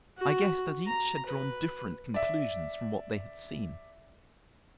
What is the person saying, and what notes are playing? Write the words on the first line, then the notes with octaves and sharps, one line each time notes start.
I guessed that each had drawn different conclusions from what they had seen.
F#4
A#5
B4
D5 E5